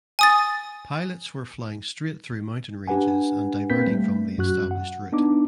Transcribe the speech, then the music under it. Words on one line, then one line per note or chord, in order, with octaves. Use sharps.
Pilots were flying straight through mountain ranges and diverting from the established route.
G#5 D#6 A6
D4 G4 B4 F#5 G#5
A#3 C4 B4 G6 B6
G3 A3
F#2 F#4 F#6
F#5
B3 D4 D#4 D6